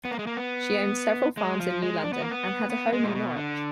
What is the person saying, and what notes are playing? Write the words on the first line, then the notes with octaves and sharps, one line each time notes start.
She owned several farms in New London, and had a home in Norwich.
B3
A#3
G#3
A#3
B3
G#3
F3
G#3
D4
B3
A#3
B3
B3
G#3
A#2
B2
D3